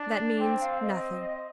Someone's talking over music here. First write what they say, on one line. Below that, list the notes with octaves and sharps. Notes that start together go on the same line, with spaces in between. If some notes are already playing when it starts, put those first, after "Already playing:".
That means nothing.
Already playing: D4
C4 G5
F5
D#5